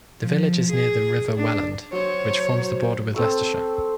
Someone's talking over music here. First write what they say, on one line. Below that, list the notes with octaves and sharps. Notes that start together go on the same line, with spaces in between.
The village is near the River Welland, which forms the border with Leicestershire.
F3
G#4
D4
F#3 C5 C#5
C4 A4 C#6